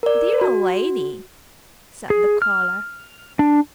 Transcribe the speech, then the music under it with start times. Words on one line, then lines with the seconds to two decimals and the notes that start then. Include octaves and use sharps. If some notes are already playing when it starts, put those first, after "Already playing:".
"Dear lady!" said the collar.
0.03 A#4 D5
0.41 F#4
2.10 G#4
2.42 F6
3.39 D4